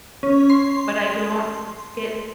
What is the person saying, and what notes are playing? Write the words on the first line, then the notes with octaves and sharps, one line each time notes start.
but I don't v get
C#4
C6